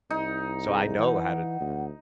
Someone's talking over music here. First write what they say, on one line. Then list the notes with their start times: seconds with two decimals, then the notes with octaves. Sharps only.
So, I know how to
0.10 C2 D#4
0.64 G#4
0.98 E3 F#5
1.61 D2